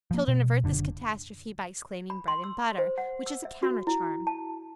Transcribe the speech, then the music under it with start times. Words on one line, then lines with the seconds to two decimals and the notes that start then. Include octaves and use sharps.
Children avert this catastrophe by exclaiming, "bread and butter," which is a counter charm.
0.11 F3 A#3
0.28 B2
0.64 F#1 D3
2.10 B5
2.28 C6
2.44 E6
2.78 C5
2.98 F#5
3.26 E6
3.45 E5
3.63 F#4
3.87 E4
4.27 A5